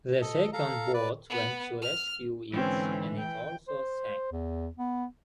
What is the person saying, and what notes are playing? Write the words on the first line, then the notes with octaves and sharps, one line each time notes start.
The second boat went to rescue it and it also sank.
A4 D#5
A4 F5 A#5
B4 D5
B3
F6
G#2 D3 E3 C4 C#4
G5
C5
E2
B3